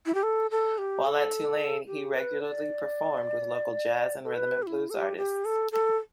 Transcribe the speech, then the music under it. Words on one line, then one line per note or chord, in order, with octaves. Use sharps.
While at Tulane, he regularly performed with local jazz and rhythm and blues artists.
E4
G4
A4
A4
G4
A4
G4
B4
D5
A4
B4
G4
E4
A4
G4
G4
A4
A4